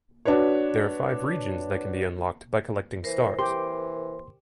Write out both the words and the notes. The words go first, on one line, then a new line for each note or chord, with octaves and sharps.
There are five regions that can be unlocked by collecting stars.
D4 F#4 B4 C#5
E3 A#4 C5
E3 G4 C6